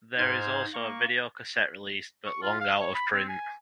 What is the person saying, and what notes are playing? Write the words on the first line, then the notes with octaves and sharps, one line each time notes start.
There is also a video cassette released, but long out of print.
G#2 C5 F6 G#6
A#3 C#6
C#6
F4
F5
C#5
B5
C4
G#5